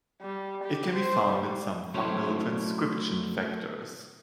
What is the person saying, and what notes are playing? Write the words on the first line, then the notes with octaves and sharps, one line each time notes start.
It can be found in some fungal transcription factors.
G3
G4
C5
G3
F#3 A3 C#4 E4 C5 C#5